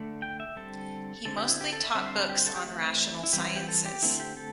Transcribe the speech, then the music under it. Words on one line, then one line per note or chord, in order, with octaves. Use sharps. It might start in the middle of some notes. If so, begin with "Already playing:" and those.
He mostly taught books on rational sciences.
Already playing: D3 A3
G5
E5
D3 G3 C4 A4
D3 C4 A4
G4
E4
G4
A4
E5
D3 G3 C4 E5
C5
A4
G4
C5
A4
G4
E3 A3 C4 E4
E4
E3 G3 C4 G4
E4
G4
A4
G4
D3 A3 C4 E4
G4
A4